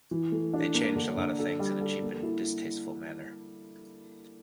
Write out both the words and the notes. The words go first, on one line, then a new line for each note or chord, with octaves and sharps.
They changed a lot of things in a cheap and distasteful manner.
E3
A3
D4
A#3
D3
D3
A4
G3
A4
A#3
E4